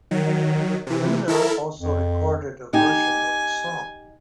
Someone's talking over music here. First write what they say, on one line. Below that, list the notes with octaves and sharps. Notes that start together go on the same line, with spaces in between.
Loona also recorded a version of the song.
D#3 F#3
C3 E3
E4 A4 A#4
F2
D#4 G4 G#5